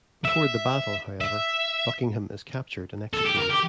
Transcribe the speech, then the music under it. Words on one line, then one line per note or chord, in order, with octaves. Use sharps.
Before the battle, however, Buckingham is captured and executed.
E5
E5
A4
G4
A#4
G4